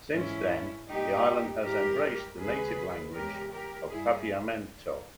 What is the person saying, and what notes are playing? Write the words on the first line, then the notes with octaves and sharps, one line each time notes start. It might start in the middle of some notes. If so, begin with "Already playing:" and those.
Since then, the island has embraced the native language of Papiamento.
G#2 E3 G#3 C#4 E4
A#2 G#3 D#4 G4
G#2 E3 G3 G4 A#4
D#2 C#3 G#3 G#4 B4
E2 C#3 G#3 G4 A#4
G4 A#4
G2 G3 E4 G#4